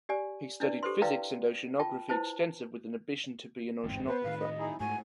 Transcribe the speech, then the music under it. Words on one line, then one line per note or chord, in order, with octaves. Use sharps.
He studied physics and oceanography extensive with an ambition to be an oceanographer.
G4 D5 G#5
D4 E4 B4 D5
G4 A4 B4 C5 C6
E4 B4 D5 F5 G5 A#5
F4 G5 A5
E4 F4 B4 C5 A5
G1 E2 G#2 C4
B3 B4 C5
A2 D#3 F5
D#5
D#4 E4 G#4
G#2 A3 F#4 G#5